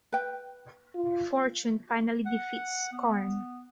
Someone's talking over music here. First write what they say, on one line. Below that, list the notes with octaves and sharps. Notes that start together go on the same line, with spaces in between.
Fortune finally defeats Scarn.
B4 G5
F4
F#5
B3